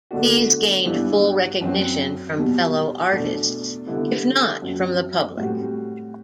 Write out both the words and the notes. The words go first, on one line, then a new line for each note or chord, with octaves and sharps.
These gained full recognition from fellow-artists, if not from the public.
E2 D3 A3 D4 F#4
G2 E3 B3 D4
F#2 F#3 C4
E2 B2 G3
E2 B2 A3 D4
D3 G3 B3 E4
F#2 F#3 C4
A2 G3 C4 F#4